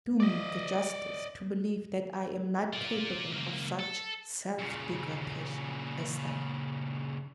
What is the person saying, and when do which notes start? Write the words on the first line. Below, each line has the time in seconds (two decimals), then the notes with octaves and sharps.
Do me the justice to believe that I am not capable of such self-degradation as that.
0.20 D5 D#5
2.73 F4 D5
3.32 C#2 A#3
3.79 A4
4.58 A#2 C#3